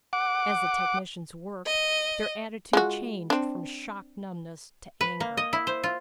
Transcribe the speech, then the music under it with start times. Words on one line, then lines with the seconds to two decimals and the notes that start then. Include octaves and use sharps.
As the technicians worked, their attitude changed from shocked numbness to anger.
0.13 F#5 D6
1.66 D#5
2.73 G#3 F4 F#4
3.30 C4 D4
5.01 B4
5.20 A#3
5.37 D#5
5.53 E4
5.67 C5
5.84 F4